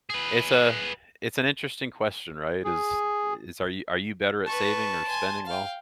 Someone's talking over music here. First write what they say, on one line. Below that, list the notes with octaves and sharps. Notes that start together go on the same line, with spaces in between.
It's a it's an interesting question, right? Is is, are you are you better at saving or spending well?
G#4 B4
G#4
B4 A5 C#6
G#5 C6
F5 G5